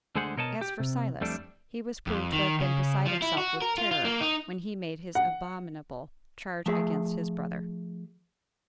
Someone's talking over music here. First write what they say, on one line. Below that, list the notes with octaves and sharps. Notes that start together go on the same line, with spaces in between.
As for Silas, he was proved to have been beside himself with terror when he made his abominable charge against his brother.
D2 D3 G#3 G#4 C5 F#5
B2 A#4 C#5 D#5 F5 A5
G4
C3
F2 G3 A3 D4
F2
D#3
C#3
F3
E4
F#4
A#4
F4
F4
A#3
D#4
F#5
F3 A3 G#4 E5